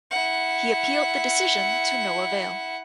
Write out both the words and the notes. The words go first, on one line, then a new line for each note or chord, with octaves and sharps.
He appealed the decision to no avail.
E4 F#5